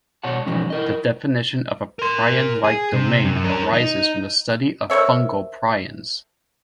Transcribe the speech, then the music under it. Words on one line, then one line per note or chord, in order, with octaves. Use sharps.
The definition of a prion-like domain arises from the study of fungal prions.
B2 C#5 D5 F#5 A5
B2 E3 F3 C#4 D#4
E4 A#4 D#5
A#4 C6
G#4
C3
F#2
C#4 A#4
D#4
A#4 C5 C#5 E5